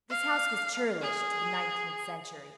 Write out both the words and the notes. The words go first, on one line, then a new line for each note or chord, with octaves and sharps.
This house was churlish to the nineteenth century.
F5
G#4